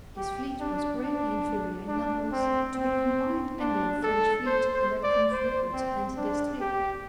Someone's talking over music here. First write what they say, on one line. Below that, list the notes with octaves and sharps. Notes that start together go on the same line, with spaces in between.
His fleet was greatly inferior in numbers to the combined Anglo-French fleet under Prince Rupert and D'Estrees.
G4
D4
D4
D4
C4
C4
D4
A4
C5
C5
D5
C5
C4
D4
G4